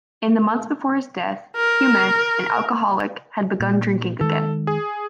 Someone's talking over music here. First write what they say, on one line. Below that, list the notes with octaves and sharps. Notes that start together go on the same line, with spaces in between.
In the months before his death, Hume, an alcoholic, had begun drinking again.
A#4
A#2
D#3 G#3 A4
G#4